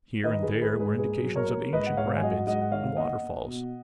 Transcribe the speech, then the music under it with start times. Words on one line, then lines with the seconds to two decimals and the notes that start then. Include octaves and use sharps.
Here and there were indications of ancient rapids and waterfalls.
0.24 D#3 B4 D#5
0.43 G#4 B4
0.49 D#3
0.61 G#4 B4
0.74 G#2
0.80 G#4 B4
0.99 A#3 G#4 B4
1.23 F#3
1.36 A#4 C#5
1.48 A#3
1.73 G#2 B4 D#5
1.86 F#5
1.97 G#2 C#5 F5
2.17 G#5
2.22 F#3 D#5 F#5
2.47 G#2 D#5 F#5
2.61 F#5
2.72 D#3 C#5 F5
2.97 A#3 D#5 F#5
3.21 A#3
3.46 B2